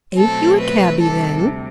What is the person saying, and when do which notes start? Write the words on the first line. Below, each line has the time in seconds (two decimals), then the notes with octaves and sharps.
"Ain't you a cabby, then?"
0.16 B2 F#3 A3 C4 A4
0.60 B4
1.02 D2 C3 G3 A4